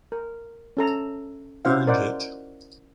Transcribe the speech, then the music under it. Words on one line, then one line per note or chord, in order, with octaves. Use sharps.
Earned it!
A#4
C#4 A4 A#5
C#4 E4 F#4 C5 F5 F#5
A#4 C5 D5 D#5 F#5